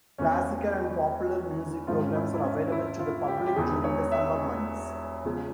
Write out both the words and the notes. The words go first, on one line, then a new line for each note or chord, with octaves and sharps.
Classical and popular music programs are available to the public during the summer months.
E1 E2 E3 C#4
G#1 G#2 F3 G#3 F4
C#4
E4
E4
C#4
E4
F4
G4
G4
E1 E2 E3 G#3 G#4
C#5
E5
E2 C#3 F3 G#3